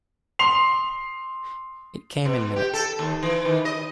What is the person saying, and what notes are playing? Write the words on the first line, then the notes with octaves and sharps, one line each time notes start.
'It came in minutes.
C6 C7 F7
B2
G4
A4
D#2
E3
D#3
D#5